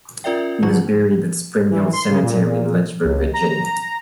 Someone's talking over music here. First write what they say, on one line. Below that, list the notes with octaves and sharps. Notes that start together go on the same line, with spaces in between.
He was buried at Spring Hill Cemetery in Lynchburg, Virginia.
C#4 F4 A#4 D5 E5 G5
D#3 F#3 F4 C#6
E3
C6
C#3
A#2
C#2
A#5